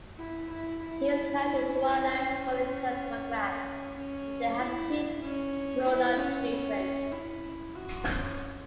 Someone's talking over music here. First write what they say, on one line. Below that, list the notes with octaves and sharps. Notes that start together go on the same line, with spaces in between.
He is married to Joanna Collicutt McGrath and they have two grown up children.
E4
E4
E4
E4
E4
C#4
C#4
E4
C#4
E4
C#4
E4
F#4
C#4